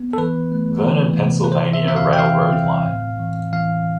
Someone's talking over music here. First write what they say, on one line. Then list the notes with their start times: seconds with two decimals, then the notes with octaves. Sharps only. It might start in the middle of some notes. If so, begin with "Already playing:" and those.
Vernon Pennsylvania Railroad line.
Already playing: B3
0.13 A4
0.18 E3 B4
0.52 A3
0.85 E3
1.18 C3
1.44 B4
1.52 E3 C5
1.73 E5
1.85 C4 E5
1.96 F5
2.13 G5
2.19 E3 F5
2.53 C4
2.86 A2
3.20 E3
3.53 E3 F5